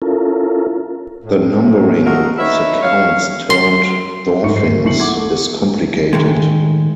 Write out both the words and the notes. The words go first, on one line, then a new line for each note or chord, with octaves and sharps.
The numbering of the Counts-turned-Dauphins is complicated.
C#4 E4 F4 A4 A#4
A2
A3 D#4 F4 F#4 A4 A#4
D#4 G4 B4 C#5 E5
C#5 F5
C6
G#2 A3 A4 C#6 C#7
G2 C5 C7
A#3
B1 E4 C#6 C7 C#7 F#7
A4 F#5 C#6 D6 G#6
A3 B3
A2 D#3 G#3